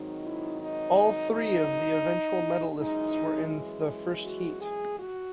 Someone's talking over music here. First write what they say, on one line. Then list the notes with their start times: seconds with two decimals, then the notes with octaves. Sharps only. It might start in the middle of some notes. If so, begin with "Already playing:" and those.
All three of the eventual medallists were in the first heat.
Already playing: G#2 D#3 F#3 C4 D#4
0.22 E4
0.58 D#4
1.31 D#4
2.79 F#2 E3 G#3 D#4
4.24 F#4
4.61 G#4
4.98 F#4